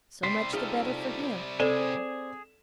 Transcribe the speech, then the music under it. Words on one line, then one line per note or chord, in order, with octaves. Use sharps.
So much the better for him.
C3 G3 C6 B6
D#4 F4 G#4 A4
C4 G#4 A4 D5 G#5 E7